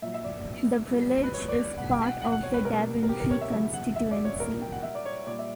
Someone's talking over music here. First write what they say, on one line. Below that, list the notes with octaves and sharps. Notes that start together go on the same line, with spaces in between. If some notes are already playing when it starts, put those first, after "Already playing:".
The village is part of the Daventry constituency.
A#2 F#3 E5
E5
D5
A#2 G3
B4
C#5
D5
B2 G3 F#5
G5
F#5
F#5
F#5
C#5
B4
B2 G3 A#4
A#4
G4
A#4
C#5
E5
C#3 F#3 E5
F#5
E5
D5
C#5
A#2 G3 A#4
G5
F#5
E5
D5
C#5
A#2 G3 D5
E5